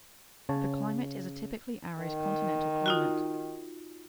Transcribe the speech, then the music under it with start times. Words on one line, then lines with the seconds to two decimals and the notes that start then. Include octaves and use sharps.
The climate is a typically arid continental climate.
0.49 C#3 C#5 A5
2.03 D#3
2.86 D#4 F4 F#4